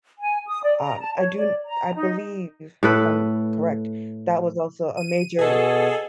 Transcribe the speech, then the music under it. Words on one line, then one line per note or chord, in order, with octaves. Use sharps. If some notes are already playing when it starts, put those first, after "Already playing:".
Um, I do n I believe, if I'm correct, that was also a major
G#5
D#6
D5
A#5
A5
C#5
D5
A#5
D#4
A2 A4 B4
D#7
B2 G#4 A4